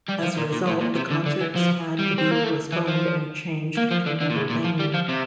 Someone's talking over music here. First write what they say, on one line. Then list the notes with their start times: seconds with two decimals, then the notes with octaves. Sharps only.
As a result, the concerts had to be postponed and changed to another venue.
0.08 G3
0.22 F3
0.37 A#2
0.53 A#2
0.67 A2
0.81 A#2
0.96 C3
1.11 D3
1.26 D3
1.41 E3
1.55 F3
1.99 G3
2.18 C4
2.31 A#3
2.44 A3
2.73 E3
2.88 F3
3.77 A#3
3.91 F3
4.06 D3
4.20 D3
4.30 A#2
4.36 A2
4.50 A#2
4.64 F3
4.80 G3
4.94 F3
5.09 C3